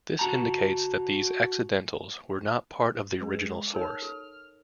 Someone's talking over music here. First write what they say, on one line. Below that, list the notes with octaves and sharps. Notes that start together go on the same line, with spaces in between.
This indicates that these "accidentals" were not part of the original source.
F#4 A5 A#5
G#3 B4
D#4 A#4 C#5 F6
A4